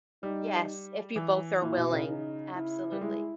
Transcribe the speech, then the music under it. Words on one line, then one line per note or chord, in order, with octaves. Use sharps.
Yes, if you both are willing, absolutely.
G3 D#4
E3
A#2 E4
B2
C#3
D#4
E4
G3
G#3 E4